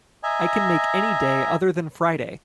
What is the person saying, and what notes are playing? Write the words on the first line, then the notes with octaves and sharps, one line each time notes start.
I can make any day other than Friday.
D#5 E5 G#5 A#5